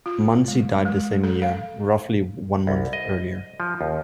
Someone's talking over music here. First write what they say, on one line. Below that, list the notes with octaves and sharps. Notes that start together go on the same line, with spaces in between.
Monsey died the same year, roughly one month earlier.
F4
G#3
G#3
A4
F5
C2
D#5
F3
D#2